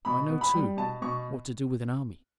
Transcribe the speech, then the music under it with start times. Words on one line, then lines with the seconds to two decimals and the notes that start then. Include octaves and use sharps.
I know, too, what to do with an army.
0.05 B2 B5
0.29 B3
0.41 B5
0.54 G3
0.77 B2 A5
1.02 B2 C#6